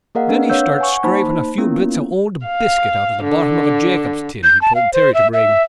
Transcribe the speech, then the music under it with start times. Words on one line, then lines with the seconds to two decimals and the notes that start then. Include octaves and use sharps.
Then he starts scraping a few bits of old biscuit out of the bottom of a Jacobs' tin he told Terry to bring.
0.15 A#3 G#4 A#4 D#5 F5 F#5
0.29 C4 D4 B4
0.50 B4 C#5 F5 F#5 E6 G6
0.79 F#5 G#5 C#6
1.04 A#3 D#4 C5 A5 B5
1.58 A#3 B3 C#4 E4 F4 A#4
2.46 F5
3.23 D3
4.44 G6
4.62 A5
4.75 F5
4.93 C5
5.14 E5
5.33 E5